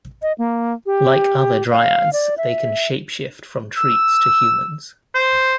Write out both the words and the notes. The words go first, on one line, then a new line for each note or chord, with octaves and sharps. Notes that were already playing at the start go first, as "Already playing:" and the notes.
Like other dryads, they can shapeshift from trees to humans.
D#5
A#3
G4
F5
D5
E5
E6
C5